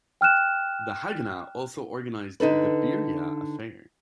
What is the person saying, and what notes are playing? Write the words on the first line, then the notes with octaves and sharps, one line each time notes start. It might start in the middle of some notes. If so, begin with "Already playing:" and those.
The Haganah also organized the Birya affair.
G5 F6 F#6 E7
D3 D#4 A4 B4